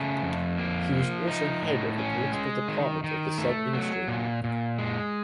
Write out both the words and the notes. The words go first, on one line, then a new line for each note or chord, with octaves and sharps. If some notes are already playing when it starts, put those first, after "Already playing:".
He was also head of the Political Department of the said Ministry.
Already playing: C#3 A3
F2
A#3
F3
D#4
A2
C#4
G#3
D#3
D#3
A3
F#3
A#2
A#2
G#3